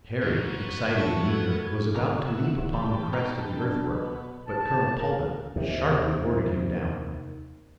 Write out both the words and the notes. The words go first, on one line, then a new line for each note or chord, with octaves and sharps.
Harry, excited and eager, was about to leap upon the crest of the earthwork, but Colonel Talbot sharply ordered him down.
G#2 C#5
B3
F#4 E5 A5 C#6
F#4 A4 B4 G#6
D#3 C#4 A4 A#4
C3 F#4 E5
E3 A#3 G5 A5 B5
D#4 A4 B4 A#5
F#3 D4
B2 B3
A5
A5
A#4
D#2 C3